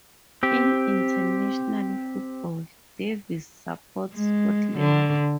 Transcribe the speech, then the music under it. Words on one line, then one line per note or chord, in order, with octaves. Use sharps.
In international football Davies supports Scotland.
C4 G4
G#3
D3